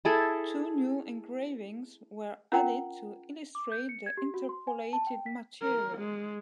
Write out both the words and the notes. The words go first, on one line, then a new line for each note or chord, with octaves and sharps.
Two new engravings were added to illustrate the interpolated material.
E4 G#4 A4
C#4 F4 A#4 F#5 G5 A#5
D6
G6
C#7
G#6
G4
F#4
C6
G#5
A5
G5
B6
A#4
G#3